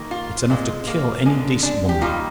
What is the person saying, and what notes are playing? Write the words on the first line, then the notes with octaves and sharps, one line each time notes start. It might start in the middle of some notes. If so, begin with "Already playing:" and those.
It's enough to kill any decent woman.
Already playing: D#3 A#3
F4
A#2 G#3
A#3
D3 G#3
D4
G4
D#3 G3 A#3 F4